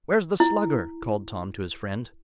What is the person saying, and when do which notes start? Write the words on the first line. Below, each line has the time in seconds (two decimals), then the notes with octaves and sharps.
"Where's the Slugger?" called Tom to his friend.
0.40 E4